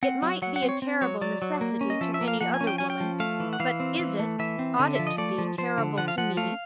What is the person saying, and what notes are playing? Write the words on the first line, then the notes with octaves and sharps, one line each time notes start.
It might be a terrible necessity to any other woman; but is it, ought it to be terrible to Me?
C4 F#5
F#3
F#3 F#5
F#5
C4
C#5
C4
F#3 C#5
F#3 D5
F#3
A#3
C#4
D#5
F3 E5
E5
A#3
F5
F3 F#5
G#5
C#4
G5
C#4 G#5
G5
F3
A3 F5
E3
F#5
E3 F5
C4
E3
A3
E3 E5
C4
D3
F3 E5
D#5
A3 D5
F3
F3 C5
D3
F3 F#5
F5
F3 F#5
A3 F5